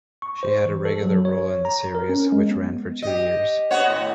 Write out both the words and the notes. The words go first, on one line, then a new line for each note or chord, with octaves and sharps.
She had a regular role in the series, which ran for two years.
C#6
C5
E3
A4
F#3
C#5
A#5
A#4
C#4
G#3
B3
G4 D#5
B3 F#4 C#5
A2